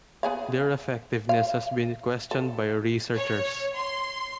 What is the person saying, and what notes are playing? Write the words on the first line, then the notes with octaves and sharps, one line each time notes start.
Their effectiveness has been questioned by researchers.
B3 G#4 F5
F5
A4
C#5
C6